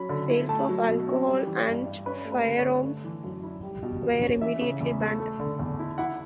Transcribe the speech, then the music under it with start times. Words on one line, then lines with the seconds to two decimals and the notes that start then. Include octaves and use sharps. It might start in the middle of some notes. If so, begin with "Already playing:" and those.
Sales of alcohol and firearms were immediately banned.
Already playing: F#3 C#4 B5
0.09 D3
0.30 E4
0.49 A3 A5
0.69 F#3
0.89 B2
1.07 C#4
1.27 G3
1.47 E3
1.67 G2
1.87 G2
2.06 C#4 B4
2.25 A3
2.32 B4
2.46 D3
2.59 C#5
2.65 D3
2.84 A3
3.04 E3
3.24 F#2
3.43 E4
3.63 G3
3.83 B2
4.02 E2
4.22 C#4
4.41 E3 E5
4.61 C#3
4.81 E2
5.00 A3
5.20 A3
5.40 D3
5.59 E2
5.79 E4
5.98 E4 F#5